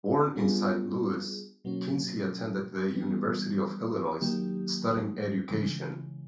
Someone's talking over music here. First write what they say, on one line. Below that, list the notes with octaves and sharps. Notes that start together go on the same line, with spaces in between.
Born in Saint Louis, Kinsey attended the University of Illinois, studying education.
G3 B3 D4 F4 G#4
B2 F#3 A#3 C#4
E3 G3 B3 D4
D#3 F#3 A#3 D#4 G4
C#3 E3 G#3